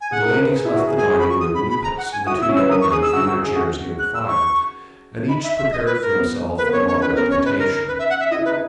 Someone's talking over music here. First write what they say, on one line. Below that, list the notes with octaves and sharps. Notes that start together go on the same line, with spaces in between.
When the ladies left the dining-room Lupex and the two young men drew their chairs near the fire, and each prepared for himself a moderate potation.
G#5
G#4 F#5
A#4
A#4
B4
G#4
E4
F#4
G#4
G#4 G#5
F#4 B5
C#6
D#6
B5
B5
A#5
F#5
G#5
F#4 D#6
E4 E6
C#4
E6
B4
A#4 D#6
C#6
G#4 D#6
E6
F#4
F#4
G#4
F#4
F#6
E6
C#6
D#4 B5
E5
E5
D#5
B4
A#4
B3
A#3 B4
B3 C#5
C#4
C#5
D#4
C#4 B4
B3 A#4
C#4
C#5
C#4
D#4 B4
A#4
A#4
B4
E5
F#5
E5
E4 D#5
B4
D#4